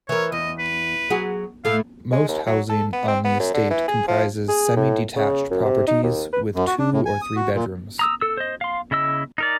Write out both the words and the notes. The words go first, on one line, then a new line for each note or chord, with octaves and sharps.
Most housing on the estate comprises semi-detached properties with two or three bedrooms.
E3 A#4 C#5
E2 D#5
B4
F#3 F#4 G#4
A2 A3 F5
G#3
D#2
F#3
A4
B3
C4
B3
F#2
D3
E3
G#4
F3
G#4
A2
C#3
F#2
C3
D#4
D#2
B4
F#2
F#4
D4
A2
G#5
D#6
F#4
A#2
A#5 D#6 E6
A4 E6
C5 D#5
F5 C6
C#3 E4 D#5 E6
D#4 A#4 D5